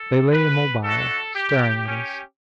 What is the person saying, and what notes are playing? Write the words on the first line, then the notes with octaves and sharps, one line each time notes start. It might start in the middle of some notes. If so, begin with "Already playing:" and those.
They lay immobile--staring at us.
Already playing: A4
B4
A3 D4 F#4 A4
G4
C#4 G4